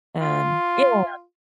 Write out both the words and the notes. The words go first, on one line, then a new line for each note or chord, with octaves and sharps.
Um, yeah.
F4